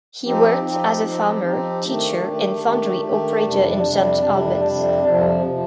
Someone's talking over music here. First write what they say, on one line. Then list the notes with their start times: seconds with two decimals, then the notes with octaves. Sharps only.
He worked as a farmer, teacher, and foundry operator in Saint Albans.
0.24 F3 C4 D#4 G4
0.63 F3 C4 D#4 G4
1.04 F3 C4 D#4 G4
1.43 F3 C4 D#4 G4
1.83 D#3 A3 D4 G4
2.23 D#3 A3 D4 G4
2.63 D#3 A3 D4 G4
3.04 D#3 A3 D4 G4
3.44 F2 C3 G3 D4
3.83 F2 C3 G3 D4
4.24 F2 C3 G3 D4
4.64 F2 C3 G3 D4
5.04 F2 C3 F3
5.45 C3 F3